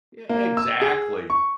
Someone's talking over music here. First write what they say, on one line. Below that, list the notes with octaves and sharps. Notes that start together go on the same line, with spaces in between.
Yeah, exactly.
A#3
E6
G#4
C#6